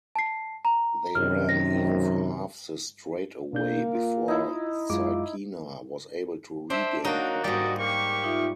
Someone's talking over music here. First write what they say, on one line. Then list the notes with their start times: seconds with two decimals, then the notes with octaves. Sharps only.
They ran even for half the straightaway before Zykina was able to regain command.
0.16 A5 C7
0.65 A#5
1.15 F#2 C3 D#3 F6
1.49 A#6
3.53 B2 A#3 D4 G6
3.95 F4
4.28 D#4 E4
4.90 F#2 G#3 F4 D6
6.70 D4 C5 E5
7.05 F#3 A#3 D4 D#4 F#4
7.44 G#2 G3 F#4 D5 D#5
7.80 A#3 G4 C#6
8.24 D#4 F4 E5